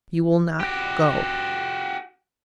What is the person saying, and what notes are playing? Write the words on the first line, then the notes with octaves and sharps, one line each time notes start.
You will not go?'
F#4 G4